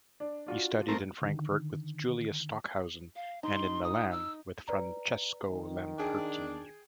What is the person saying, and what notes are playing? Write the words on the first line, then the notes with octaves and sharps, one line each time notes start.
He studied in Frankfurt with Julius Stockhausen, and in Milan with Francesco Lamperti.
D4
D4 F4 F#4
A3 C4 A#4
D3 D#3
F5
D#4 C6
D#6
E6
B4 D5 A#5
D#3
D4 G#4 G5